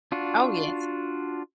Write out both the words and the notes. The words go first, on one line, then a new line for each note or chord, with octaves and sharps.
Oh, yes.
D4 F4 F#4